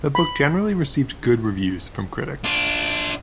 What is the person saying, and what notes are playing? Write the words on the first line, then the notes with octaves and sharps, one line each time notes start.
The book generally received good reviews from critics.
B5
D4 F4